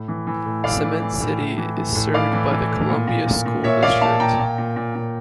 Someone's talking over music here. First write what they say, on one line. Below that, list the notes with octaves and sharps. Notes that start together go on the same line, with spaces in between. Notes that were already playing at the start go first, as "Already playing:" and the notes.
Cement City is served by the Columbia School District.
Already playing: A2
E3
E3
A2
A2 D5 F5
E3
E3
A2
A2
E3
E3
A2
A2 D5 F5
E3
E3
A2
A#2
A#2
A#2
A#2
A#2 C#5 E5
A#2 D5 F5
A#2 F5 A5
A#2 G5 A#5
A#2
A#2
A#2
A#2